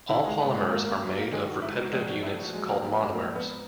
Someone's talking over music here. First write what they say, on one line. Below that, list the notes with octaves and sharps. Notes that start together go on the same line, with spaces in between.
All polymers are made of repetitive units called monomers.
D#3 E4
G#3 G#4
G#2 B3 B4
G#3 G#4
G#1 A#3 A#4
A#3 A#4
F#3
A#3 A#4
D#3 G#3 G#4
F#4
G#2 E4
F#4
A#1 G#3 G#4
F#4
A#1 E4
F#4
F#3 G#3 G#4
A#3 A#4
G#2 A#3 A#4
G#3 G#4
A#1 A#3 A#4
B3 B4